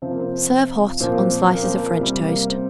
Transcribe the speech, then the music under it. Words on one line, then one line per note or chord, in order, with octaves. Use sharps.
Serve hot on slices of French toast.
C3 F3 C4
A#3
C4
A#2 F3 C4
A#3
C4
A#3
C4
A#3
C3 G3 C4
A#3
C4